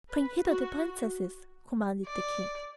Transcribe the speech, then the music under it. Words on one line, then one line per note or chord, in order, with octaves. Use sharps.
"Bring hither the princesses," commanded the King.
B4
F#4
D5